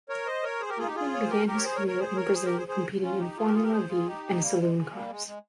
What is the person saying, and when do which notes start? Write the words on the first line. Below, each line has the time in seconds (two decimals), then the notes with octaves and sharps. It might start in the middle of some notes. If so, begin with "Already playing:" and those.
Hoffman began his career in Brazil competing in Formula Vee and saloon cars.
0.09 A#4 C#5
0.26 C5 D#5
0.43 A#4 C#5
0.61 G#4 C5
0.69 G4 A#4
0.78 F4 G#4
0.86 D#4 G4
0.96 F4 G#4
1.14 C#5
1.22 C5
1.30 G4 A#4
1.47 G4 A#4
1.56 C#5
1.65 G#4 C5
1.75 A#4 C#5
1.87 A#4 C#5
1.99 G#4 C5
2.16 A#4 C#5
2.34 G#4 C5
2.45 G4 A#4
2.57 G#4 C5
2.68 G#4 C5
3.03 C#4 F4
3.19 D#4 G4
3.37 F4 G#4
3.46 G4 A#4
3.54 F4 G#4
3.63 G4 A#4
3.72 G#4 C5
3.89 F4 G#4
4.06 D#4 G4
4.41 G3 A#3
4.58 G#3
4.75 G#3
4.93 G3 A#3
5.10 G#3
5.27 G#3